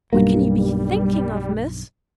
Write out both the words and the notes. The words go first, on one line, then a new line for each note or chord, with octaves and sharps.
What can you be thinking of, Miss?
B1 G2 G3 A#3